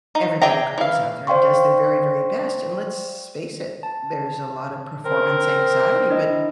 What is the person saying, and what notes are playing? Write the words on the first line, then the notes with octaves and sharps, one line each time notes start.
Everybody goes out there and does their very, very best, and let's face it, there's a lotta performance anxiety, but
D#4
G#4 D5 E5 G5 A#5
E3 F5
C5 D5 F5 G5 C6 C#6
A5
C4 A#4
D4 E4 D#5